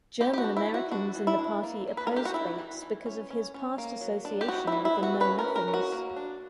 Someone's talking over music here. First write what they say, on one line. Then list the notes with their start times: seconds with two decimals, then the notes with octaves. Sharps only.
German-Americans in the party opposed Bates because of his past association with the Know-Nothings.
0.20 B3 G4
0.33 G4
0.38 F#4
0.44 D4
0.57 E4
0.69 E3
0.74 F#4
0.91 D4 F#4
1.15 E3
1.27 E4
1.39 D4
1.63 A#3
1.87 A#3
1.97 B4
2.07 A#4
2.11 D4
2.16 G4
2.25 F#4
2.34 D4 E4
2.59 E3
2.82 E3
3.06 C#4
3.30 C#4
3.54 C#4
3.78 A#3
4.01 F#3
4.25 D4
4.41 G4
4.48 B3 F#4
4.67 E3 E4
4.85 E4
4.97 B3
5.03 F#4
5.20 C#4 B4
5.39 A#4
5.44 C#4
5.56 A#4
5.68 C#4
5.74 F#4
5.92 A#3
6.16 D4